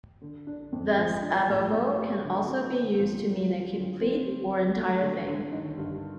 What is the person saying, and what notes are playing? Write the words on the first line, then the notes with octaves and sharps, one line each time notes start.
Thus "ab ovo" can also be used to mean a complete or entire thing.
D3
D4
F2
F3
D4
A2
A3
G4
D3
C4
C5
F3
G3
F4
D3
C4
G3
G3
A3
D3
D3
D#3
G2